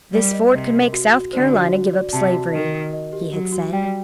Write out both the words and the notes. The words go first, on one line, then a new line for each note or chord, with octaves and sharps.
"This fort could make South Carolina give up slavery," he had said.
G3 A#4
D#5
C3 D#5
A#4
F#4
F#4
D3 C5
F#4
F#4
D5
C3 A5
F#4
D#3 D#5
A#4
D#5
G4
F#3 F#4
F#4
G3 G5